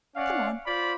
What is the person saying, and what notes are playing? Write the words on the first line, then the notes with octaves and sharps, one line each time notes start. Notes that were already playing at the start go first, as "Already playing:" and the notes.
Come on.
C#4 D5 F5 F#5
F4 C5 D5 B5